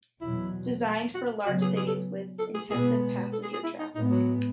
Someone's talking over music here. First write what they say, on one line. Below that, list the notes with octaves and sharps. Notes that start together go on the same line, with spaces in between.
Designed for large cities with intensive passenger traffic.
E2 B2 F#3 E4
F#4
C#3 F#3 B3 F#4
G#4
G#4
A4
A4
G#4
B2 G#3 B3 G#4
A4
G#4
G#4
E4
D#4
A2 G#3 B3 D#4
F#3